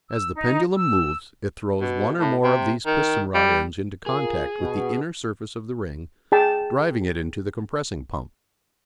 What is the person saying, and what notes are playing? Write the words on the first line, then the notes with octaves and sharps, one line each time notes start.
As the pendulum moves it throws one or more of these piston-rod ends into contact with the inner surface of the ring, driving it into the compressing pump.
E6
D#4
E6
B2
A2
C3
D#3
G3
F4 G#4 A#4
B2
G#4 G5 A5